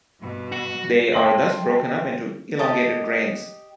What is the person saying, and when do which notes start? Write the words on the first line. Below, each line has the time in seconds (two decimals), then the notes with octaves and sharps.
They are thus broken up into elongated grains.
0.21 G2 B2
0.52 F#4
1.13 G5 A5 C6 A#6 F#7
2.59 G4 D#5 A5